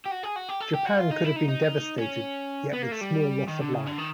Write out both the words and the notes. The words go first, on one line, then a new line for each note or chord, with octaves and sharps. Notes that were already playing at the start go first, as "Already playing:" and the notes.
Japan could have been devastated, yet with small loss of life.
G4
F#4
G#4
F#4
G4
A4
G4
F#4
F4
D#4
E4
D#4
D#4
C#4
B3
A#3
A3
G3
D#3
D3
C#3
D3
D#3